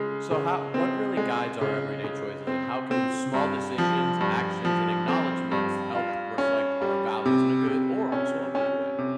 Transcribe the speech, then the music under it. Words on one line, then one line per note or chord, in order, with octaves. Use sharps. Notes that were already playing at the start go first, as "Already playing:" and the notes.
So, how what really guides our everyday choices, and how can small decisions, actions, and acknowledgments help reflect our values in a good or, also, a bad way?
Already playing: C#3 G#3
C#3
C4
G#3
C#3
C#3
C4
C4
G2
F3
G2
F3
C4
G2
F4
C#4
G3
C3
C3
C#4
C#4
C3